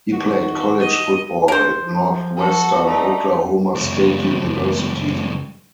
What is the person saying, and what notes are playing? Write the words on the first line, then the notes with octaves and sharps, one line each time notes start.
He played college football at Northwestern Oklahoma State University.
D#3 F#4
D#5
A#4 C5
F3
F#4 A4
A3 D#4 D5 D#5 A#5
C#2 F#2